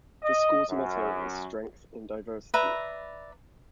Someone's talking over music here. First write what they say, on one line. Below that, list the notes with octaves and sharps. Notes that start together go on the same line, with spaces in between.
The school's motto is "Strength in Diversity".
D#5
F#2
B4 D5 E5 A#5